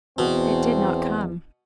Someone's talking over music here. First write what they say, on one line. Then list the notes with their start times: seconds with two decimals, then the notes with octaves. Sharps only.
It did not come.
0.18 E2 B2 C4